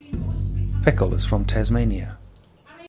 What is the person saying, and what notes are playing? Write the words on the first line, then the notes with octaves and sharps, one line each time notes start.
Pecl is from Tasmania.
G1 F#2